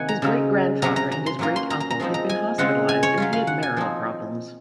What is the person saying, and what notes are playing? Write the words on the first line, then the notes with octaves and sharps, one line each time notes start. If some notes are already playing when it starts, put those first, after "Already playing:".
His great-grandfather and his great-uncle had been hospitalized, and he had marital problems.
Already playing: C3 D#3 A#3 F#5 G#5
A#5
C#3 F#3 C4 D#4
C3 F#3 C#4 A#5
A#5
A#5
C6
F#3 A#3 C#4 F4 A#5
C6
A#5
A#5
A#5
F3 G#3 C4 D#4
A#5
G#5
C#3 G#3 C4 F4 F#5
G#5
C#5
F#3 C#4 F4
F5
F#5
G#5
F3 C4 D#4